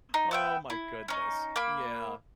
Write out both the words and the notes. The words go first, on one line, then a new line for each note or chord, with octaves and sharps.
oh my goodness. Yeah.
D#4
B3 E5 G5
E4
C#4 D#4
A#3 B5